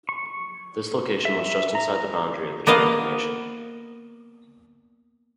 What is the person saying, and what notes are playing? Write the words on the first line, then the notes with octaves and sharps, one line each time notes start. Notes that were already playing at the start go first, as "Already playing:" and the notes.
This location was just inside the boundary of the Cherokee nation.
C#6
E5
A#5
A#3 B3 D#5 F5